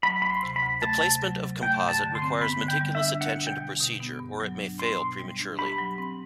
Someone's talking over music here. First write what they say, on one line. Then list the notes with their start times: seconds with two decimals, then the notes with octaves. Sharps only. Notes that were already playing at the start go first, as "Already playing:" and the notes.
The placement of composite requires meticulous attention to procedure or it may fail prematurely.
0.03 F#3 B5
0.22 D2 B5
0.30 C6
0.43 C3
0.56 B5
0.62 D2
0.82 A3 A5
1.03 C3
1.22 F#3
1.43 C3
1.62 A3 G5
1.81 G2
1.89 A5
2.02 D3
2.15 C6
2.22 C4
2.42 B3 B5
2.61 D3
2.68 G5
2.81 G3
2.95 E5
3.00 D4
3.21 D4 F#5
3.41 B2
3.47 G5
3.60 G3
3.80 B2
4.00 B3
4.20 G2
4.40 F#3
4.60 D4
4.79 B3 C6
5.00 B2
5.19 G3
5.40 D4
5.59 G4 B5
5.78 F#3
5.98 C4